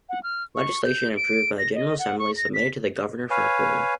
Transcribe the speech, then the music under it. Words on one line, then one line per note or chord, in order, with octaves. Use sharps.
Legislation approved by the General Assembly is submitted to the Governor for approval.
F#5
F6
C#6
G6
D7
A#6
D#5
F#5
C#6
A#6
B6
B4 C#5 F5 G#5